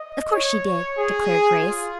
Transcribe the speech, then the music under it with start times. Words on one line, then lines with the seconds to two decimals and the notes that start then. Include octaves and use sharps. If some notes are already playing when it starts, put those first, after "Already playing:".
"Of course she did," declared Grace.
Already playing: D#5
0.33 C#5
0.98 G#4
1.62 F4